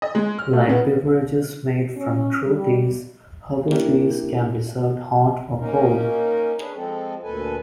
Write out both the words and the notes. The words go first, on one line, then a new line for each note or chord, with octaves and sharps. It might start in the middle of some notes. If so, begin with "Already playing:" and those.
Like beverages made from true teas, herbal teas can be served hot or cold.
D#5
G#3
F6
A3
C#3 B3
C#4
G3
A#3 C#4 D4 E4 G4 A#4
A#3 C#4 D#4 A#4
C#4 D4 G#4 B4
F3 G#3 C4 A4
D2 A#2 A4 B4 G#5